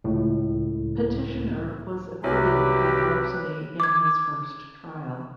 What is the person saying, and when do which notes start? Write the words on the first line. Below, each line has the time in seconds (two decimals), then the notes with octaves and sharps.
Petitioner was acquitted of larceny in his first trial.
0.04 C#2 A2
2.24 C2 F#3 G4 B4
3.80 D6 G#6